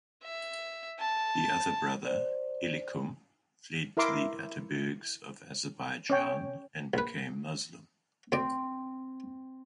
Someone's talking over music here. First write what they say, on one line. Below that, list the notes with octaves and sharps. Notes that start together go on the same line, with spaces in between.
The other brother, Elikum, fled to the Atabegs of Azerbaijan and became Muslim.
E5
A5
C5 D5
E4 A#4 E5 C6 D6
C#4 C#5 G5
A#1 B4
D2 C4 D5